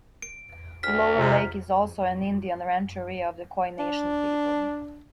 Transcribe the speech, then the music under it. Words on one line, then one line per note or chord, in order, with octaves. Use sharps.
Lower Lake is also an Indian rancheria of the Koi Nation people.
D7
D2 F6 B6
C3 F4 C5 A#5
D4